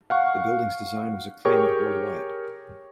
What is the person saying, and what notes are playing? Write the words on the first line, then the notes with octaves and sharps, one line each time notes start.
The building's design was acclaimed worldwide.
F5 F#5 C#6
G4 G#4 A#4 C#5 G5 C#6